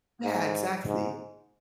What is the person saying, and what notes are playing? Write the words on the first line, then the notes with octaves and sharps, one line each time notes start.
Yeah, exactly.
G#2
G#2